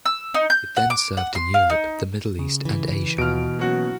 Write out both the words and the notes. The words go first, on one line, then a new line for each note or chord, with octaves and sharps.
It then served in Europe, the Middle East and Asia.
E6
D#4
G6
F#5
D6
F#5
C6
F5
D#4
C#3
E3
D#2 B2 F4 F6 D7
F#3 A#3 B3 C#4 F#4